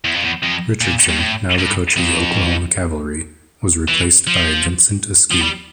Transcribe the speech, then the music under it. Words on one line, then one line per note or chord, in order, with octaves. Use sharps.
Richardson, now the coach of the Oklahoma Cavalry, was replaced by Vincent Askew.
E2
F2
E2
F2
A#2
G2
A2
G2
F2
E3
F3
F3
G3